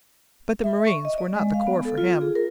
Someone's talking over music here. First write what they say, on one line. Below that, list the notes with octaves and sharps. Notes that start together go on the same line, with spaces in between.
But the Marines were not the corps for him.
E5
C#6
D#5
D5
G#3
F5
B3
A4
F4
G#4
A#4